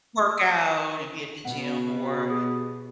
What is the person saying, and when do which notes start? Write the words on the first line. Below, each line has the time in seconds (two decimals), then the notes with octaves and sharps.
work out and be at the gym more,
0.31 E6
1.45 B2 F#5
2.30 G4 G#4 D#6